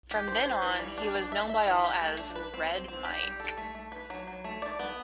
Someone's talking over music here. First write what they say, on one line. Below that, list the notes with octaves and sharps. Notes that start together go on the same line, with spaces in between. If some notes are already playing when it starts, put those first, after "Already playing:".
From then on he was known by all as "Red Mike".
G4
C5
C5
E3
G3
D4
D4
E5
E5
E3
G4
A3
D4
B4
C4
C4
C4
G4
G3
A4
A3
A3
B4
F#3
F#3
A3
D5
B3